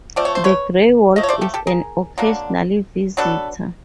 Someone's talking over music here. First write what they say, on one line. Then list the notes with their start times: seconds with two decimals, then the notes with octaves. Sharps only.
The gray wolf is an occasional visitor.
0.16 F3 A3 C4 D5
0.25 C#5
0.35 C5
0.44 B4 C#5
1.16 F3 A3 D#5
1.23 C#5
1.29 C5 D5
1.41 G4 A4
1.54 G4 A4
1.67 G#4 A#4
2.18 D3 F#3 A#3 D4
3.17 F#3 B3 D4 A4 B4